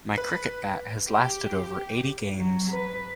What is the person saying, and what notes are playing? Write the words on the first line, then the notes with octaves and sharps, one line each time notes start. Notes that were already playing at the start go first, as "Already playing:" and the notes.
My cricket bat has lasted over eighty games.
B4
G4
F#3
B4